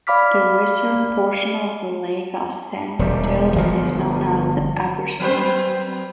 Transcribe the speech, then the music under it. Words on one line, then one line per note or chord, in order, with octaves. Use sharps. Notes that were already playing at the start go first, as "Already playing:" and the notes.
The western portion of the lake at Saint Gilgen is known as the "Abersee".
D5 F5 B5 D6 F6 B6
E1 G3
G1 F3
F#3 C4 B4 C5